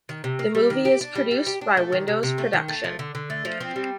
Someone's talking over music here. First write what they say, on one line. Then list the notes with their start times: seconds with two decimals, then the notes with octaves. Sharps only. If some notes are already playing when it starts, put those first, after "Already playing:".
The movie is produced by Windows Production.
0.09 D#3
0.24 C3
0.39 A#3
0.55 G3
0.70 D#3
0.85 G4
1.01 D4
1.15 G3
1.31 G3
1.46 G4
1.61 D4
1.77 A3
1.92 D#3
2.08 C3
2.23 C3
2.38 A3
2.53 D#3
2.68 A3
2.84 F3
2.99 D3
3.15 D3
3.30 A3
3.45 F3
3.61 C4
3.76 G3